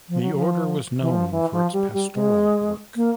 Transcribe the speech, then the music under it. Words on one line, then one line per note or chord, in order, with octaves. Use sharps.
The order was known for its pastoral work.
F3
F#3
F3
E3
F3
E3
F3
G3
G3
G#3
A#3